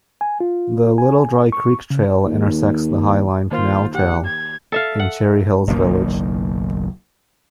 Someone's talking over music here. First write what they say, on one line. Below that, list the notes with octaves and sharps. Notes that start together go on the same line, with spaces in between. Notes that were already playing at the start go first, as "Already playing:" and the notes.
The Little Dry Creek Trail intersects the Highline Canal Trail in Cherry Hills Village.
G#5
F4
G#5
C#6
C#3
D#2
D#3 A#3 F4 C5
G4 F#5
G#6
A4 E5 F5
F#5
F#1 B1 D#3 A#3